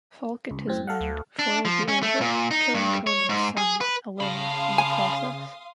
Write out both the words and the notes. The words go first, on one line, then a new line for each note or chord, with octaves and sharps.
Fulk and his men foiled the ambush, killing Conan's son, Alain, in the process.
C#2
F#2 A2 C4
A4 F5 F#5
D2
D4
F3
C#4
A3
A#2
D#4
G2
C#5
G#2
G#4
B4
C#3 F5 A5 B5 C6 D#6
G#5